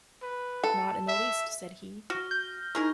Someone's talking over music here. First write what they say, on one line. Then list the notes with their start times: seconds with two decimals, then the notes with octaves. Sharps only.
"Not in the least," said he.
0.23 B4
0.64 A4
1.08 E5
2.10 F#4 F6 A#6
2.31 G6
2.75 D#4 E4 G#4 A#4 C#6 F6